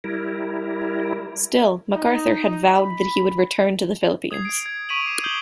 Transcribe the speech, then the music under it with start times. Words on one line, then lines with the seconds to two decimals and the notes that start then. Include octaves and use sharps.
Still, MacArthur had vowed that he would return to the Philippines.
0.04 G3 E4 A#4
1.94 D#4
2.76 B5
4.31 D#6 G#6 C7
4.45 D7
4.66 G#6
4.89 C#6 B6 D7 D#7 F7 F#7
5.06 D6 C7 E7
5.24 D#6 G6 C7 F#7 G7